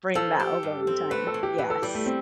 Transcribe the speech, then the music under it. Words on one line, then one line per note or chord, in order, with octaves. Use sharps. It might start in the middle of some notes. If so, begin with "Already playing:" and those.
bring that alone time. Yes.
F3 A4
G4
G2
C4
A3 B4
A4
E3
G4
E3 B4
A4
G3 G4
A3
C4